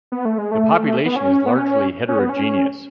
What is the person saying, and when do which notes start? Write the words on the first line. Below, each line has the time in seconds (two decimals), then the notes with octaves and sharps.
The population is largely heterogeneous.
0.12 B3
0.25 A3
0.38 G#3
0.51 A3
1.06 B3
1.16 C#4
1.46 B3
1.58 C#4
2.09 C#4
2.19 B3
2.29 C#4